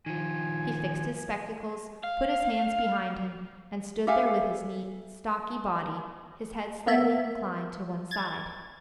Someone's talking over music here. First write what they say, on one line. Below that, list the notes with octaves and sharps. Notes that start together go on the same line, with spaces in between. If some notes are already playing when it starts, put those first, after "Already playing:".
He fixed his spectacles, put his hands behind him, and stood there with his neat, stocky body, his head slightly inclined to one side.
D#3 F3 G#5
F5
G4 A4 E5 F5 G#5
A#3 B3 E5
G#6 A6